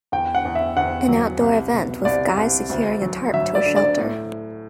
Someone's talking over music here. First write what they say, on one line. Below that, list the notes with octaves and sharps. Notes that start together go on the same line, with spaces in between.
An outdoor event with a guy securing a tarp to a shelter.
E2 G5
F#5
E2
E5
E2 F#5
F#3
C2
B2
C2 D5
C2
D2
F#3
F#3 E5
D5
D3
D5
A2